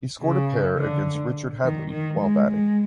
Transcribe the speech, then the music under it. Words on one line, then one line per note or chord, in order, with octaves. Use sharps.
He scored a pair against Richard Hadlee while batting.
C#3
D3
D#3
D#3
G#3
G#3